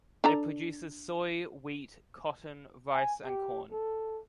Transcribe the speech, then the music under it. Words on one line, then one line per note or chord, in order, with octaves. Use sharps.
It produces soy, wheat, cotton, rice and corn.
D4 A4 A#5
G#5
G4
A4